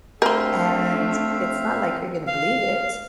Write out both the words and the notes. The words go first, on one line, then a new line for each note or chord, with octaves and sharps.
And it's not, like, you're gonna believe it.
A3 C4 D4 A#4 C5 E5 F5
F5